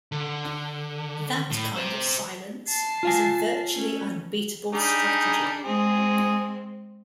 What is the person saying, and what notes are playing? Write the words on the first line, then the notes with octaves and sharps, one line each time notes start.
That kind of silence is a virtually unbeatable strategy.
D3
A2
C5 E5
A5 C7
F4 F5 G#5
A3 C#4
G3 D4 D#4 G#4
G#3 C4 G#4